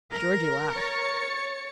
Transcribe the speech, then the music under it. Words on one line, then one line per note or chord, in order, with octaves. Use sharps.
Georgie laughed.
A#4
C#5 A6 C#7